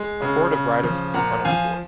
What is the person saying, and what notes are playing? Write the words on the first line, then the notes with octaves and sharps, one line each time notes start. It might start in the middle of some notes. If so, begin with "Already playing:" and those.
A horde of riders was in front of the door.
Already playing: G#3
C#3
C#3
F3
A#2 F#5 A#5
F3 F5 G#5